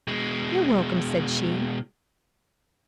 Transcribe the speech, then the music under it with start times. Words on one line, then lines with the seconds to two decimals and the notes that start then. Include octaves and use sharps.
"You're welcome," said she.
0.07 B2 G#3